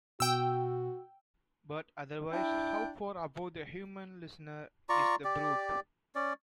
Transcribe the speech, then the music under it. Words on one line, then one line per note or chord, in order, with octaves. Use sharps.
But, otherwise, how far above the human listener is the brute!
B2 F#4 G5 E6
D4 E4 G5
F4 D5 A#5 C#6
G4 D5
C#4 D5